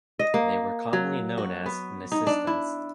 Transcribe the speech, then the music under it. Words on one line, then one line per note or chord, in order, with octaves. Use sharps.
They were commonly known as "Nacistas".
D#5
A#3
F#3
F#4
B3
D#4
D4
E4